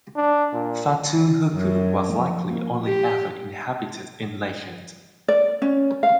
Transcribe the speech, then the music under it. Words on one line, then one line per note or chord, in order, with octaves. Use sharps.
Fatu Huku was likely only ever inhabited in legend.
D4
A#2
F#2
F3
A#3
G4
D5
C#4
F5